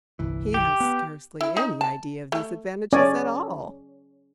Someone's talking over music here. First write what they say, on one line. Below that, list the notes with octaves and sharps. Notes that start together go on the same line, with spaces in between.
He has scarcely any idea of these advantages at all.
G1 C2 E3
G4
B3
E4
D#4
A5
A3
C#4 C#5 D5 G#5